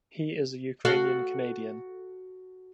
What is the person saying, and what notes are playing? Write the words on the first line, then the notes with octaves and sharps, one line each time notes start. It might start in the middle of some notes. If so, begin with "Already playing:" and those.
He is a Ukrainian-Canadian.
F#4 A4 F5